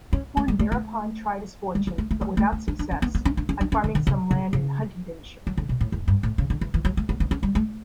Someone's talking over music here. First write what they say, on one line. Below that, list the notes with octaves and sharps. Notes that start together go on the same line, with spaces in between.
Horne thereupon tried his fortune, but without success, on farming some land in Huntingdonshire.
C#4
A3
G3
A3
A3
G3
F#3
A3
A3
A3
A3
C#4
D4
D4
C#4
B3
B3
C#4
D4
C#4
D4
C#4
D3
D3
C#3
C#3
C#3
F#3
D3
B2
A2
E2
G2
A2
C#3
D3
E3
E3
F#3
A3
B3
B3
C#4
G3
A3